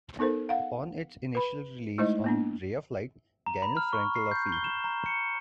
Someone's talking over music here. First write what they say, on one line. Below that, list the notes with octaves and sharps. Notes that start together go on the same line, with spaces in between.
Upon its initial release on "Ray of Light", Daniel Frankel of E!
B3 D#4 A4 A#4 C5
F5 F#5
B4 B5
G#3 A3 D#4 E4 C5 D#5
A#3 B3 D4
A#5
B5
F6
C#6
C7
G6
G7
E7
A#5
C#7